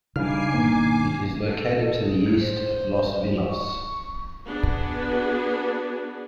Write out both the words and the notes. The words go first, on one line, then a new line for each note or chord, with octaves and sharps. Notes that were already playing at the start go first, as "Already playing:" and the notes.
It is located to the east of Los Vilos.
C#3 G3 D4 D#4 G#5 D6 F6 C7
G#1 B2 D#3 A#3
A4
G#4
C5
C#6
B3 D4 F#4 G#4